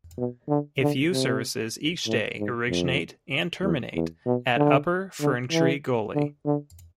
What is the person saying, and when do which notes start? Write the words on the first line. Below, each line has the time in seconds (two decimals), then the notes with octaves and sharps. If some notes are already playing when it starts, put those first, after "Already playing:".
A few services each day originate and terminate at Upper Ferntree Gully.
0.18 B2
0.49 D3
0.81 D3
1.12 C3
2.07 A2
2.38 G#2
2.69 F2
3.63 E2
3.95 E2
4.26 B2
4.57 D3
5.20 D3
5.52 E3
6.14 D3
6.46 D3